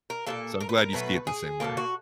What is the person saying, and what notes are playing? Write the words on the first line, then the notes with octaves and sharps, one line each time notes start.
so, I'm glad you see it the same way.
A#4
A#2 F#3 A#3 A4
A#4
B4
A#4
B2 F#3 A3 B4
G#4
B2 G3 A#3 A4
F#4